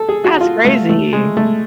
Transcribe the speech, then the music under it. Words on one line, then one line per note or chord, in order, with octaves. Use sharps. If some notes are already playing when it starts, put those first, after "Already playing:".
That's crazy.
Already playing: A4
G#4
F#4
F4
A3
A3
G#3
A3